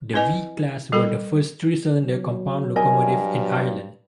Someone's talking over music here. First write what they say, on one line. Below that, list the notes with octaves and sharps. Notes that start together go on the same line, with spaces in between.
The V class were the first three-cylinder compound locomotives in Ireland.
C4 E4 B4 D#5 G#5
G3 A4 A#4 G5 B5
F#3
G2 A#4 D#5 G#5
F#3